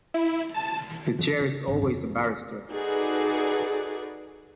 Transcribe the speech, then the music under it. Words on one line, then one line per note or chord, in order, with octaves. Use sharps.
The chair is always a barrister.
E4
A5
E3
D#4
G#1
F2
B3
D#4 F#4 G#4 A4 B4 D5